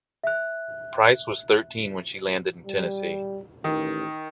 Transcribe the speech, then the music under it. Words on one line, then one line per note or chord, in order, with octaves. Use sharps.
Price was thirteen when she landed in Tennessee.
E5 F#6
G3
A1 D#3